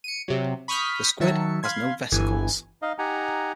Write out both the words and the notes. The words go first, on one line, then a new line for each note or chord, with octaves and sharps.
The squid has no vesicles.
C#7 D#7
C3 F#3
B5 C#6 D#6 F6 G6 B6
D#3 F#3 E5 A5 C#7
F5 B5 C6 G#6
G1 E3 G#5
D#4 D#5 F5
D#4 G4 F#5 G#5 A#5